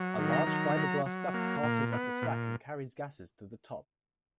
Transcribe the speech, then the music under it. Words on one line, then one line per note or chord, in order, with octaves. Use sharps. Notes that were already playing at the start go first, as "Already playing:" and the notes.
A large fiberglass duct passes up the stack and carries gases to the top.
Already playing: F#3
D#3
A#5
F#3
F#3
F#3
A#3
A#2
B3
A#2